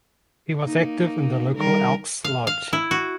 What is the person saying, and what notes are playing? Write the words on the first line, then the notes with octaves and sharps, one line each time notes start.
He was active in the local Elks lodge.
A#3 D#4
D#3 G3 A#4
F5
F5
E4
F#4